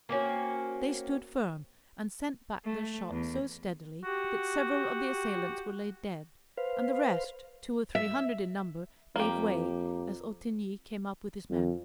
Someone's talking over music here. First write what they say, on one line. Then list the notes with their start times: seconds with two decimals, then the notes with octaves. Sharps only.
They stood firm, and sent back their shot so steadily that several of the assailants were laid dead, and the rest, two or three hundred in number, gave way as Ottigny came up with his men.
0.09 A#3 C4 C#4 F#4
2.65 A3
3.10 E2
4.03 F#4 G4
6.57 B4 C5 F5
7.95 E5
9.16 F2 A#3 G4
11.51 F2